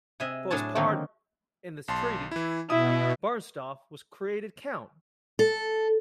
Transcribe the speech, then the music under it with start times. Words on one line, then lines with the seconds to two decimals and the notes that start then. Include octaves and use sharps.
For his part in this treaty Bernstorff was created count.
0.20 C3 G#4 D#5 E5
0.51 A2 F#3 D4 G#4 A5
0.75 D3 D#3 F#3 A#3 C4 D#4
1.88 B1 A5 C6
2.31 E3 E4
2.70 B2 E4 D#6
5.39 A4